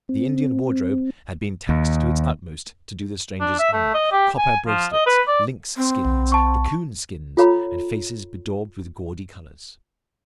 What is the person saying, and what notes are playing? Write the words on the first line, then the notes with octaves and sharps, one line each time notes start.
The Indian wardrobe had been taxed to its utmost to do the strangers honor,--copper bracelets, lynx-skins, raccoon-skins, and faces bedaubed with gaudy colors.
C4
D#2
D4
E5
A3
D#5
G4
G#5
F3
D#5
B4
D5
C4
B1
A5 C#6
F4 A4 C#5 F5 A#5 B5